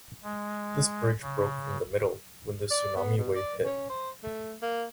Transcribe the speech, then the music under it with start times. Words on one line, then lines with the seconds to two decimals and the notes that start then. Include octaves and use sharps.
This bridge broke from the middle, when the tsunami wave hit.
0.24 G#3
1.21 C#3
2.71 D5
2.97 B3
3.17 B2
3.36 D5
3.65 C#4
3.89 C5
4.24 A3
4.62 A#3